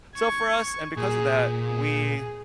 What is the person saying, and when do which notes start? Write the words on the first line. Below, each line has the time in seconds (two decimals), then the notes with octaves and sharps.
So for us, and because of that, we
0.16 C#6 G#6
0.97 A#2 G#4
1.61 G#4